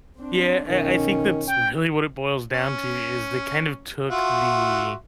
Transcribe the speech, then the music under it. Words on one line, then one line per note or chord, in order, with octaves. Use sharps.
Yeah. I I think that's really what it boils down to is they kind of took the
C4 D4
B1 D#3 C#4
G5
C#4
F4 F#4 E5